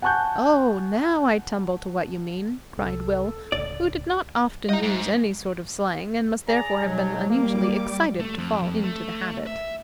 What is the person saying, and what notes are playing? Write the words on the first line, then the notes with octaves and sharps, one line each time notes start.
"Oh! now I tumble to what you mean," cried Will, who did not often use any sort of slang, and must therefore have been unusually excited to fall into the habit.
F#5 G#5 A5 C#6 F#6 G6
C2 A4
D1 C#2 D5
G3 G#3 E4 D#5 A#5
G#2
G#4 D5 A#5
G#2 B2 F#3
G3 A#3 D6
A3
F2
F2
A3
E5